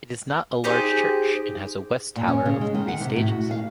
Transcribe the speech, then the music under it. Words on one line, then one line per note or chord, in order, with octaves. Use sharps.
It is not a large church and has a west tower of three stages.
D#4 G4 G#4 C5
A#2
C#4
C#3
G#3
D#3
F#5
C3
A2
F#4
F5